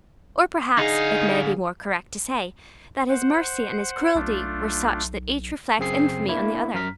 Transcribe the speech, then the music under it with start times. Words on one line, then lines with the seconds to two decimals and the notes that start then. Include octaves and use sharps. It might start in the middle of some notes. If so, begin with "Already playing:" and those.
Or perhaps it may be more correct to say that his mercy and his cruelty were such that each reflects infamy on the other.
0.78 D3 D#4 G#4 F5
3.09 C5 F#5
4.15 B1 A3 D4 F4
5.79 F#2 C#3 C4 G#4 C7
6.28 A#3 D4 E4
6.74 F#2 A#5 F6 B6